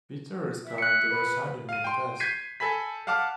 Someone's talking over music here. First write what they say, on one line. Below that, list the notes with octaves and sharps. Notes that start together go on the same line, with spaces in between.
Peter is currently residing in Perth.
E5
F#6 C#7
B4
F5 D#7
G5 C6
G6 G#6 B6 C7 D#7
A4 G#5 B5 B6
F5 F#5 A5 D6 F6